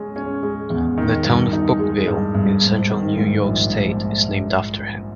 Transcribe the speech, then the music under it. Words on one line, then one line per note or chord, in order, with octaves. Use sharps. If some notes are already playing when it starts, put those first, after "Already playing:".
The town of Bouckville, in central New York state, is named after him.
Already playing: G#3 C#4
C#4
G#3
E2
D#3
G2
D#4
G#3
G2
G2
G#2
D#3
G#2
A#1
G#2